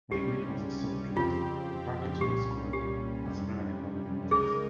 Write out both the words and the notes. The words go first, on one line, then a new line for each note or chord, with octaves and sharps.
Like many other soft drinks, the packaging of Squirt has varied over the years.
C#2 C3 G3 C#4 G4
F2 C#3 F3 C4 F4 G4
C2 A#2 G3 C#4 G4
G4
F2 C3 G3 C#4
C#2 C#3 G#3 D#4 G#4 A#4